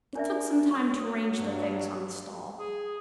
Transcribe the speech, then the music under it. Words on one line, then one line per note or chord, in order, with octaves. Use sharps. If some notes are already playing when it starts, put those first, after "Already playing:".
It took some time to arrange the things on the stall.
D4 A#4 D5 E5
F#3 C#6 D#6
G2
G#4